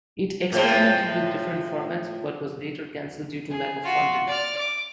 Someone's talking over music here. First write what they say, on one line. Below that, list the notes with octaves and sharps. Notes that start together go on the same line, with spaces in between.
It experimented with different formats but was later cancelled due to lack of funding.
A2 F3 G#3
G#4
F4 F#4
D5 F6
D6